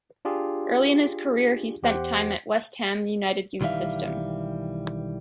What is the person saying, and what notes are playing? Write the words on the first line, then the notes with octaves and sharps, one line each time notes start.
Early in his career he spent time at West Ham United's youth system.
D4 F4 G4 G#4
E2 G4 C5 F#5
B1 D#3 E3 G3 E5 F5